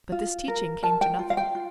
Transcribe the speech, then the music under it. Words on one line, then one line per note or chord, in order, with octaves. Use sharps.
But this teaching came to nothing.
F4
A#4
A#4 A5
G5
F4
F5
G5
F4